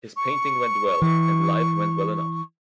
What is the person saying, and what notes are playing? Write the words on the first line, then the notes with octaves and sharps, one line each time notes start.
His painting went well, and life went well enough.
C#6
E3